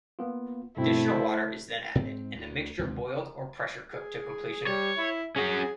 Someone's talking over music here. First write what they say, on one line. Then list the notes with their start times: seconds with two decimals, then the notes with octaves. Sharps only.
Additional water is then added, and the mixture boiled or pressure cooked to completion.
0.19 A#3 B3 F4
0.77 G2 B2 A3 C4 E4
1.10 A4 C5 E5
1.95 G#2 C4
2.35 D2
2.79 D#2 G#2 C3
3.93 G#4
4.67 G3 C#5
4.98 E4
5.36 C#4 F#4 G#4